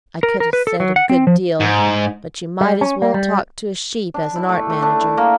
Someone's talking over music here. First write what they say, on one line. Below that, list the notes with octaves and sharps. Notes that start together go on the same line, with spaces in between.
I could have said a good deal, but you might as well talk to a sheep as an art-manager.
A#4
A#4
B4
A4
F#3
F#5
C4
F3
G#2
G3
C#4
A#3
G3
D4
E4
A3
A3
D4
E4
A#3